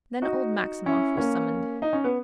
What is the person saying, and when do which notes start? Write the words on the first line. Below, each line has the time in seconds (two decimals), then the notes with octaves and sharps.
Then old Maximov was summoned.
0.22 D#4 F#4
0.86 C#4 E4
1.18 A#3 C#4
1.82 D#4
1.93 C#4
2.04 B3